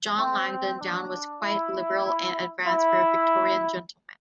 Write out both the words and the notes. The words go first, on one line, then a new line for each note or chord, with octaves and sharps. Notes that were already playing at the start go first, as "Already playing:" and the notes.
John Langdon Down was quite liberal and advanced for a Victorian gentleman.
C4
D4
E4
E4